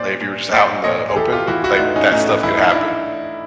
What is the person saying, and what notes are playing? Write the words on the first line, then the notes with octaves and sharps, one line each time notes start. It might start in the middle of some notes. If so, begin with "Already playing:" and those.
like, if you were just out in the open, like, that stuff could happen,
Already playing: A#2 C5 D5
A#2
A#2 C5 D5
A#2 C#5 D#5
G#4
E3 G4 A4
F4 G4
E3 E4 F#4
E4 F#4
F#4
A2 D#4 F4
C#4 D#4
A2 C#4 D#4
E3 E4
D#4
D4 E4